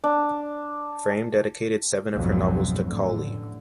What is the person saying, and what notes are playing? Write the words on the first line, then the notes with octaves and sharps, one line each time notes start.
Frame dedicated seven of her novels to Cawley.
D4
B1 F2 G#2 D3 F#3
A1 D3